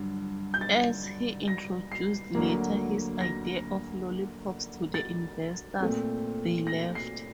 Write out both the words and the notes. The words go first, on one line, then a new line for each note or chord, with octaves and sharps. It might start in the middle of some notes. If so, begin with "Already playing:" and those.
As he introduced later his idea of lollipops to the investors, they left.
Already playing: G2 D3 F#3
G6
A6
A#6
C7
D2 D3 F#3 A#3
A#6
A6
A#2 A3 C4
A#6
C7